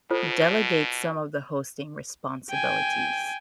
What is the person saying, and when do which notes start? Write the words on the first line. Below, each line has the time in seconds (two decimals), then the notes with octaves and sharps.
delegate some of the hosting responsibilities.
0.11 B2 F4 A4 C5
2.50 G5 G#5